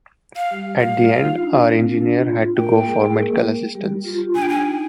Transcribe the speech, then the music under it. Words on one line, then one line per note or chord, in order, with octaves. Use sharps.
At the end, our engineer had to go for medical assistance.
F5
G3 G4
G3 G4 F5
F4
D#4
F4
D4
C4
D4
F4
F4
A#3 A#4 G5
G#3 G#4
G#4
A#3 A#4
G3 G4
F4
G4
F4
D4 G#5
G5
G#5
D#4